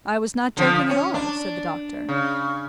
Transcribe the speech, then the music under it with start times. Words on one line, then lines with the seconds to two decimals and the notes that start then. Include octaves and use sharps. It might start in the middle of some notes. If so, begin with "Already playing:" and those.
"I was not joking at all," said the doctor.
0.57 D3 F3
0.90 C#4
1.14 D4
2.09 C#3